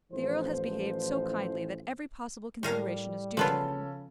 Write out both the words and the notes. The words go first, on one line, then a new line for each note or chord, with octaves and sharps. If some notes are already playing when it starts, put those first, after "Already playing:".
The earl has behaved so kindly that every possible consideration is due to him.
A1 E3 F3 C5
A2 G3 A#4 F5
C#3 F3 B3 C#4 F4 A4